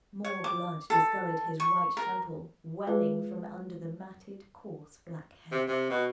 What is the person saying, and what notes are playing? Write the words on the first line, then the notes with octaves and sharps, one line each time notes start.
More blood discoloured his right temple, welling from under the matted, coarse black hair.
C#5
D6
A4
C#6
A#4
G#3 F4 G#4 B4
C3
C3
B2